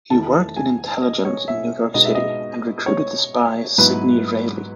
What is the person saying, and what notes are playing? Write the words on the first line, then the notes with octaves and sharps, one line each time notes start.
He worked in intelligence in New York City and recruited the spy Sidney Reilly.
E2 D#3 A3 E4 A5
G#5
D#5
C#5
E5
B2 G#3 B3 D#4 D#5
E5
D#5
C#5
G#2 F#3 B3 E4 B4